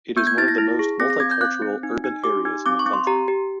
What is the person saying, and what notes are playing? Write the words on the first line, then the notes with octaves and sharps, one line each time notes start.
It is one of the most multicultural urban areas in the country.
B3 G6
G#6
E4 A6
A#6
E4
G#4
C4 A#6
A#6
C4 G#6
G6
C4 F#6
C4
D#4
D#4
G4 D6
D#4
C4 D6
C#6
C4
C6
G4 A#5
G4